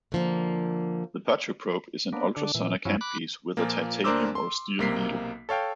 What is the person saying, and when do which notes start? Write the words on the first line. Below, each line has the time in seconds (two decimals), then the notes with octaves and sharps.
The phaco probe is an ultrasonic handpiece with a titanium or steel needle.
0.12 D3 F3 A#3
2.13 A#3 B3 D4
2.37 D3 D4
2.55 A#2 E3
2.85 G2 F3 F#3 C#4 E4
3.01 B5 D6 F#6
3.57 A#2 F3 A#3
4.04 D2 D4 A#4 C5 D6 E6
4.35 C6
4.79 B1 C3 A#3 B6 C7
5.49 A4 C#5 F5 G5